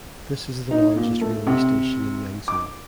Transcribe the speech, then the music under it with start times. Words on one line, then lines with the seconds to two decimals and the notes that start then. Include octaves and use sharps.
This is the largest railway station in Yangzhou.
0.71 D#4
0.96 A#2
1.21 A3
1.47 C3
2.48 D6